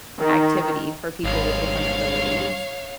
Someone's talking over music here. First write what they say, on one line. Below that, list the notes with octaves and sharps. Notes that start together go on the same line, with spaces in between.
activity for people with different abilities.
D#3
G#1 G2 G#3 C#5 F5